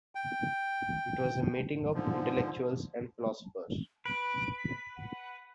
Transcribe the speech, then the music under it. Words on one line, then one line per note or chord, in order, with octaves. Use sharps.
It was a meeting of intellectuals and philosophers.
G5
G#2 D3 F3
B4 D7
B6
F#5